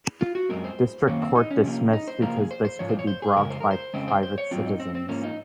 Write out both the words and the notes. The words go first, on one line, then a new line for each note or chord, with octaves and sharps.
District court dismissed because this could be brought by private citizens.
F4
F#4
F#2 C#3 G#3 C4 A#4
C5
F#2 D#3 A#3 C#4
C4
D#4
C#4
C3 F3 A#3
D#4
C5
C3 F3 A#3 A#4
G#4
C5
C5
G#2 F3 C#5
C5
C#5
C5
G#4
F2 C#3 G#3 A#4
C5
A#4
C5
F2 C#3 G#3 C4
C5
C5
C#5
G#2 F#3 C4 F4
D#4
C4
C4
G#2 F3 A#3 C#4
D#4